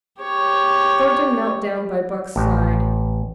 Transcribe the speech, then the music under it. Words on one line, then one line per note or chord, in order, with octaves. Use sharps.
Thornton knelt down by Buck's side.
G4 C#5
A1